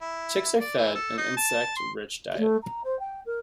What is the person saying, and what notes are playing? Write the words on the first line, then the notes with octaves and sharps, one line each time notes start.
Chicks are fed an insect rich diet.
E4
D5
E3
A4
D#4
A5
C6
A3
A#5
C5
G5
A#4